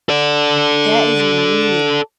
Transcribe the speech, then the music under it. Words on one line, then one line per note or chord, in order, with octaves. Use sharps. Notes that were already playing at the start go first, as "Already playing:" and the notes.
That is weird.
A4 D5